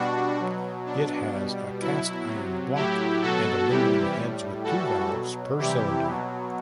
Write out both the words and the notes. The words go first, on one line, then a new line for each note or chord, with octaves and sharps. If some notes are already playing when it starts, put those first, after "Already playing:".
It has a cast iron block and aluminum heads with two valves per cylinder.
Already playing: B2 G3 D4 F#4
B2 F#3
B2 F#3 D4
B2 G3
B2 F#3 E4
C3 F#3
A2 F#3 E4 G4
B2 F#3 F#4 A4
C3 E3 G3 E4 G4
A2 G3
A2 E3 G3 F#4 A4
B2 F#3
C3 E3 G3 E4 G4
B2 F#3